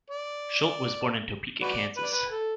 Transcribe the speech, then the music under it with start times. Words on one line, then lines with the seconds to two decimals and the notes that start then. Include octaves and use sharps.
Schuldt was born in Topeka, Kansas.
0.10 D5
1.63 F#4 B4 D5
1.97 B4
2.04 D5
2.11 B4
2.30 A4